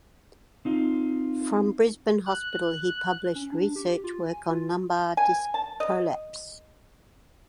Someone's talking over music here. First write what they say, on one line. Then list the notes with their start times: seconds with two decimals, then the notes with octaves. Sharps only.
From Brisbane Hospital he published research work on lumbar disc prolapse.
0.65 C4 D#4 F4
2.26 F#6
3.35 C#4
3.52 D4
3.76 G4
4.04 F4
4.28 G#5
4.50 F4
5.17 G#5
5.54 A5
5.80 D#5